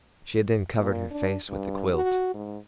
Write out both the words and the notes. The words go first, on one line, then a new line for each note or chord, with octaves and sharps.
She had then covered her face with the quilt.
A#2
D4
G2
F#4
G#2